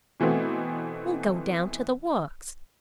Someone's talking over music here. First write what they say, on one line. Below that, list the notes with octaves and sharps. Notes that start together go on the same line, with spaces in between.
We'll go down to the Works.
B2 E3 A3 B3 C4